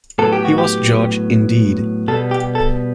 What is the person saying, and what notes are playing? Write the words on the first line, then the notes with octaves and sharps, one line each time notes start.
He was George indeed.
A2 F#3 B3 A4
G4
F#4
G4
B2 G3 B3 A4
G4
A4